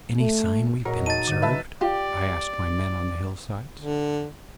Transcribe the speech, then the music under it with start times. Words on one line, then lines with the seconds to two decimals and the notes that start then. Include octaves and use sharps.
"Any signs we have been observed?" I asked my men on the hillsides.
0.19 A3
0.85 A#2 F#3 A#4 D#5
1.06 D#4 A5 A6 D#7
1.27 D3 G3
1.42 B4 E5 A5
1.81 F4 G4 D5
3.80 D3